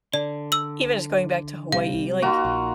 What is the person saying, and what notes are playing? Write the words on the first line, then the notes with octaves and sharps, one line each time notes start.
even just going back to Hawaii, like,
D3 D5
E6 F#7
C3 G3 F5
A#3 D#4 F4 F#4
A#1